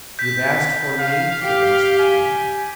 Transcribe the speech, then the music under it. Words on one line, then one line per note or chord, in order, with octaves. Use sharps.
"You have asked for me?" said the Musketeer.
G6 B6
F5
G4
G#5